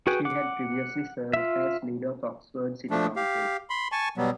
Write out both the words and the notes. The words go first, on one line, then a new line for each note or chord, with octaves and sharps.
She had previously served as Leader of Oxford City Council.
F#4 G#4 B4 G5 G#5
F#5 D6
F4 E5
F3 A3 D4
G4 F5
B5 C6
G#5 A5 C#6
B2 F#3 G3 B3